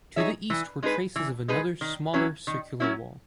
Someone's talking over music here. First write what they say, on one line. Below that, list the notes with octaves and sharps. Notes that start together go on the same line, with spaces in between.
To the east were traces of another, smaller circular wall.
D#4 G#4 C#5 E5
E3
G#3 D#4 G#4 B4
E3
G#3 D#4 G#4 B4
D#3
F#3 C#4 E4
D#3
F#3 C#4 E4